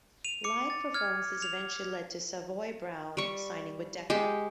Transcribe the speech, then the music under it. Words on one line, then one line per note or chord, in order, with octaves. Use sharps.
Live performances eventually led to Savoy Brown signing with Decca.
D#7 F7
D6 C#7
A6
F6 G#6
F7
G3 C#6
G#3 G4 A5